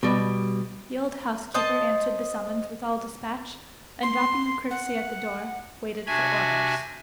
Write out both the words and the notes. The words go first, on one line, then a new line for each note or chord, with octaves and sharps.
The old housekeeper answered the summons with all dispatch; and dropping a curtsey at the door, waited for orders.
B2 G3
C5 D#5 A5
C6
F#5
C3 D4 F#4 E5 G#5 G#6